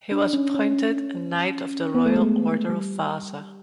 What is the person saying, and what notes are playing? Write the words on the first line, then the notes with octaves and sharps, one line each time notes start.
He was appointed a Knight of the Royal Order of Vasa.
D4
C#4
C#4
B3
A3
G#3
G3